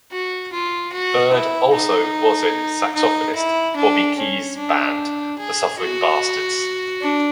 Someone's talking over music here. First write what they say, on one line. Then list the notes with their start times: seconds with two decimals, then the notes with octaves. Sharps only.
Baird also was in saxophonist Bobby Keys' band The Suffering Bastards.
0.12 F#4
0.53 F4
0.93 F#4
1.33 E4
1.74 D#4
2.95 D#4
3.36 E4
3.76 D4
4.17 C#4
4.58 D4
5.39 G#4
5.80 F#4
7.01 D4